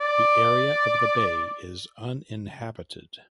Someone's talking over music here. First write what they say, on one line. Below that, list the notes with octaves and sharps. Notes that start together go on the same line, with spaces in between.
The area of the bay is uninhabited.
D5